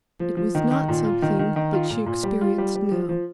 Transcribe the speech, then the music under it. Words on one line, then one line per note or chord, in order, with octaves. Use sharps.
It was not something that she experienced now.
F3
F3
D#3
D#3
A#2
F4
D#3
D#3
D#3
F4
A#2
A#2
G3
F4
G3
G3
F3
F3